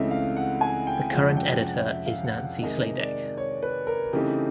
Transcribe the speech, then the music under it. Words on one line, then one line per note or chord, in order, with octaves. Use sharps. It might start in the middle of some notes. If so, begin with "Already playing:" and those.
The current editor is Nancy Sladek.
Already playing: C#2 C#3 E3 A3 C4 D#5 E5
F5
F#5
G#5
G5
F2 C3 F3 G#3 C#4 F#5
G5
F#5
E5
F5
F#5
F5
C3 D#3 G#3 D#5
D5
C#5
B4
A#4
C#3 E3 A3 C4 D#4 G4